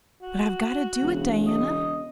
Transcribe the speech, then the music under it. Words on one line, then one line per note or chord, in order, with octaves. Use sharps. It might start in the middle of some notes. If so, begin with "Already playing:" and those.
But I've got to do it, Diana.
F#4
E1 C#3
D#5